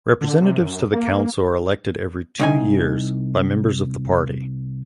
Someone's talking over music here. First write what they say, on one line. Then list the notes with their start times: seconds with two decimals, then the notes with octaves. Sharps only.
Representatives to the council are elected every two years by members of the party.
0.21 D3
0.42 C3
0.60 F#2
0.93 A#3
2.40 C2 D#4 G#5